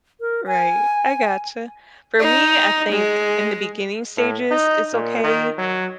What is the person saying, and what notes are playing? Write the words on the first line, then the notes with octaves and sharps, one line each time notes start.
Right, I gotcha. For me, I think in the beginning stages, it's okay
A#4
G#5
D#4
G#3
A2
D#4
A#2
D#3
F#3